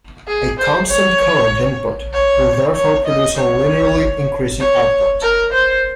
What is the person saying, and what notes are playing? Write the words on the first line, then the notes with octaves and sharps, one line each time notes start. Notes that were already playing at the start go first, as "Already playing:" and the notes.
A constant current input will therefore produce a linearly increasing output.
G#4
C5
C#5
C#5
C#5
D#5
C#5
C#5
A#4
C5